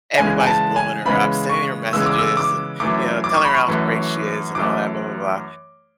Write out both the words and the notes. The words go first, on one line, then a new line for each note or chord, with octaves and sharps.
everybody's blowing her up, sending her messages, and, you know, telling her how great she is and all that, blah, blah, blah.
C#3 E3 G#3 B3 G#5
G#5
A5
G#5
C#3 E3 G#3 B3 B5
C#6
C#3 E3 G#3 B3 E6
D6
E6
D6
F#2 E3 A3 D6
D6
C#6
B5
C#6
F#2 E3 A3
F#2 E3 A3 D6